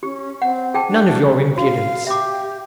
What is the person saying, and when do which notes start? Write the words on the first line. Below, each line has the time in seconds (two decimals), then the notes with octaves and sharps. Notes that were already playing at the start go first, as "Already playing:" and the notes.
"None of your impudence!"
0.03 C#4 G4
0.42 C4 F#5
0.74 G#4 G5 A5
0.88 D4
1.57 F#4 F5
2.07 G4 E5 D6